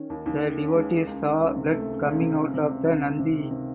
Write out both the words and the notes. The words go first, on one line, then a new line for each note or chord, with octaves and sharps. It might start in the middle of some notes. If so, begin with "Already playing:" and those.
The devotees saw blood coming out of the Nandhi.
Already playing: D#3 C#4
D#2
D#2
D#3
C#4
G#3
G#3
C#2
D#3
C#2
C3
A3
C#2
C#2
C3
C#2
C3
C#2
C#2
C#2
C3
D#3
C3